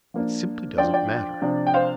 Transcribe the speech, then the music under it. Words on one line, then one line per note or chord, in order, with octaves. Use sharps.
It simply doesn't matter.
F3 A#3 D4
F3 D4 F4 D5 G5
D5 G5
C3 F3 D4
G5
C5 F5